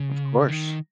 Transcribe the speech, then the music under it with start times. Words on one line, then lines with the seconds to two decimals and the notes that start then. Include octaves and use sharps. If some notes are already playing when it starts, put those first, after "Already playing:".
Of course.
Already playing: C#3
0.49 D#3